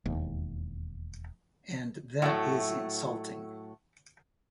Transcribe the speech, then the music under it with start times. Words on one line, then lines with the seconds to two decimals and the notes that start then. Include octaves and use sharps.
And that is insulting.
0.05 E1 D#2
2.22 A2 F#3 A3